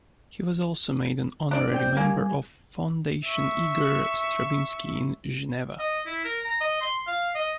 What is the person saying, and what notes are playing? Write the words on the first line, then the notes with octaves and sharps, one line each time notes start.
He was also made an honorary member of Fondation Igor Stravinsky in Geneva.
D4 D5
C4 G5 G6
G3 A#3 G#5
E5 C#6
D#5
E4
A#4
A#5
D#5
C6
F5
D#5